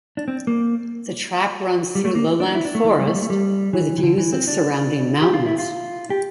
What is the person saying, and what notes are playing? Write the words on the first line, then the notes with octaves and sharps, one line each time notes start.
The track runs through lowland forest, with views of surrounding mountains.
D4
C4
A#3
G3
A3
A#3
D4
E4
D4
A3
E3
G3
A3
G3
A3
G3
E3
E3
D3
E3
C4
D4
G4
F4
E4
F4
G4